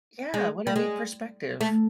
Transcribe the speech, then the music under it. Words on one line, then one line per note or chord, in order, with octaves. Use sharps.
yeah, what a neat perspective.
G#3
G3
G#3
A3